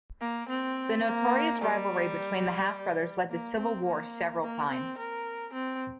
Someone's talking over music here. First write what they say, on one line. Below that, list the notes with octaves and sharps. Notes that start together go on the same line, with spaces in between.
The notorious rivalry between the half brothers led to civil war several times.
A#3
C4
A#3
G3
A#3
C4
A#3
A#3
C4
A#4
C4